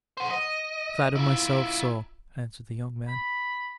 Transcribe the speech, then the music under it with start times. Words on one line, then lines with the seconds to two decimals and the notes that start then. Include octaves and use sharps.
"I flatter myself so," answered the young man.
0.17 C5 F#5
0.31 D#5
1.15 E4 F4
3.08 B5